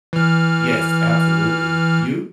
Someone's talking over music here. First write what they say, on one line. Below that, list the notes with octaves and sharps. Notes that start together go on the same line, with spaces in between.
Yes, absolutely. You?
E3 F6